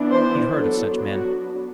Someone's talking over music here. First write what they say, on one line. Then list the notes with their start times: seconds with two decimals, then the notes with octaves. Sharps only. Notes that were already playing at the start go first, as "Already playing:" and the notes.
He'd heard of such men.
Already playing: E3 B3 D4
0.12 C5
0.61 F#3 B3 D4 A4
1.09 F#4